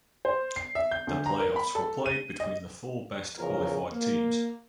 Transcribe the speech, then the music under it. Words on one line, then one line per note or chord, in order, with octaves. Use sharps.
The playoffs were played between the four best qualified teams.
C5
C7
E5
G6
D2
A#5
A#4
B5
A4
D#7
D#5
E2 C#3 F3 A#4
A#3